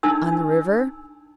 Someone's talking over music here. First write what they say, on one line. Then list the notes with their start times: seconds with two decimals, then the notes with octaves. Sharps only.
"On the river?"
0.03 D4 D#4 G#5 E6